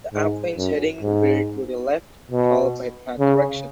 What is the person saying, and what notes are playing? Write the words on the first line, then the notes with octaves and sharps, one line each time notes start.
The airplane's heading veered to the left, followed by a track correction.
G#2
F#2
G#2
B2
C#3